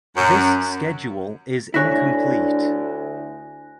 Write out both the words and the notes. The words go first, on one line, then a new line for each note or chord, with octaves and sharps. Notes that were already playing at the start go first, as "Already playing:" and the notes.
This schedule is incomplete.
F#2
D2 D4 E4 C#5 G#5 F#6 A#6